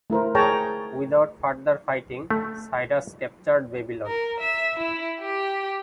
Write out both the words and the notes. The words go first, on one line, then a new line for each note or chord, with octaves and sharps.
Without further fighting, Cyrus captured Babylon.
A3 E4 A#4 C5
G#4 A#4 C#5 G5 A5 A#5
A3
A#4
E5
E4
G4